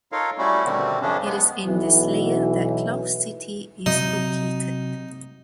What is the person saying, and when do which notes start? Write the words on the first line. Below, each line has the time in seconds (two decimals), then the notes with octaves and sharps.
It is in this layer that Cloud City is located.
0.12 D#4 F4 A4 A#4 C#5 F5
0.38 G3 A3 C#4 E4 F#4
0.65 B2 D3 D#3 G3 C4 F#4
1.02 F#2 C#3 F3 C#4 D4
1.24 G#3 B3
1.66 B1 B2 E3
3.86 C3 F#3 D#4